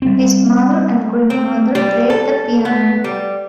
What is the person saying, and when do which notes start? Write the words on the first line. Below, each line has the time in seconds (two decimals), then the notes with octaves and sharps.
His mother and grandmother played the piano.
0.02 G3 C4
1.30 C4
1.75 G3
2.10 A4
2.65 B3
3.04 G3